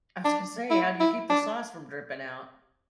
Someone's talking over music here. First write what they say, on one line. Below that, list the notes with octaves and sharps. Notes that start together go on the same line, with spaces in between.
I was gonna say, how do you keep the sauce from dripping out?
D4
E4
E4
D4